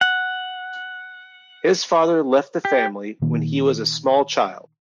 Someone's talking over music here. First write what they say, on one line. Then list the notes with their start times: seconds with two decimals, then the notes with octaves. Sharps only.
His father left the family when he was a small child.
0.01 F#5
2.65 G4
3.22 A#2 D#3 A#3